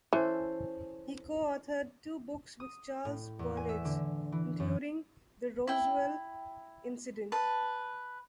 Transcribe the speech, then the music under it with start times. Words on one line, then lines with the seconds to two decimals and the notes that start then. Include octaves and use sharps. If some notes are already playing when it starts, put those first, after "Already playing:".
He co-authored two books with Charles Berlitz, including "The Roswell Incident".
0.13 E3 C#4 A4 C5
2.60 D#6
3.05 A2
3.39 E2
3.57 G#5
3.69 E5
3.85 D3
4.32 E3
4.60 F#2
5.67 E4 G5
7.32 B4 A5